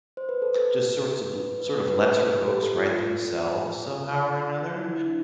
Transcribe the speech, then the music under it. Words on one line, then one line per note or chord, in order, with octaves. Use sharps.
just sorts of l sort of lets her books write themselves, somehow or another?
C5
B4
A4
B4
B4
B4
B4
B4
G4
A4
F4
E4
E4
D4